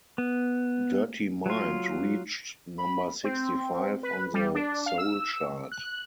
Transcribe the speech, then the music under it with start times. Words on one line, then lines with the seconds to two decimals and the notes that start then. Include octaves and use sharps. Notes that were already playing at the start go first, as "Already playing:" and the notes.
"Dirty Mind" reached number sixty-five on the soul chart.
0.18 B3
1.46 F#3 F4
2.78 B5
3.24 C4
4.03 B4
4.34 G3
4.54 D4
4.86 F5
4.98 E6
5.72 F#6